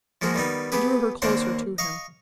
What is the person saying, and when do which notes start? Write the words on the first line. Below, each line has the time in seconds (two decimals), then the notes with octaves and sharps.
He drew her closer to him.
0.22 F3 G#3 A#3 F#4 G#4
0.35 D#3 G3 B3 D#4
0.72 B3 G4 G#4 B4
1.22 D#2 A#3 C4 D4 C5 F#5
1.78 D#5 F5 C#6